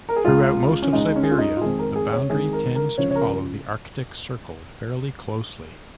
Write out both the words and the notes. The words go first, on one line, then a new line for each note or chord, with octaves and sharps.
Throughout most of Siberia, the boundary tends to follow the Arctic Circle fairly closely.
A#4
G#4
C#2 C#3 G#3 F4
C#4
C#2 C#3 G#3 D#4
C#4
G#4
F4
D#4
F4
F2 D#3 G#3 G#4
A#4
G#4
C#5
F2 D#3 G#3 G#4
A#4
A#4
C#2 C#3 F3 C#5
C#5
A#4